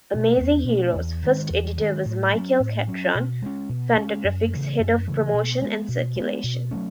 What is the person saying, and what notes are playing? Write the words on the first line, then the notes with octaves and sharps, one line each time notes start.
"Amazing Heroes"' first editor was Michael Catron, Fantagraphics' head of promotion and circulation.
B2 A3 C#4
E2
B2 A3 C#4
E2
D#3 G#3
E2
D#3 G#3
A2
F#3 C#4
A2
F#3 C#4
B2
G#3 C#4
B2
G#3 C#4
F#2
C#3 E3 A3
F#2
C#3 E3 A3
B2
G#3 B3
B2
G#3 B3
B2
F#3 A3 C#4